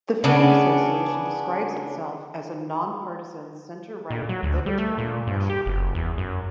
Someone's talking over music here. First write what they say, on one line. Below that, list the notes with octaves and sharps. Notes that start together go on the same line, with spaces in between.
The Freedom Association describes itself as "a non-partisan, centre-right, libertarian pressure group".
C#3 B3 C#4 D4
A#2
F#3
D2
G3
A3
A#2
G2
G4
F#1
E2
F#2